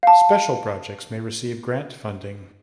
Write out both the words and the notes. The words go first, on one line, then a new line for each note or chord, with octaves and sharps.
Special projects may receive grant funding.
F5 A5